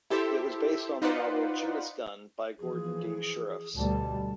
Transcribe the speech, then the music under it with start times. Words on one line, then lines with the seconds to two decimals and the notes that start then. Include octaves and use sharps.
It was based on the novel "Judas Gun" by Gordon D. Shirreffs.
0.10 E4 G4 A4 C5 E5
1.02 D#4 F4 B4 C5 D5 F#5
2.59 E3 F3 G#4
3.76 D2 B2 G3 A5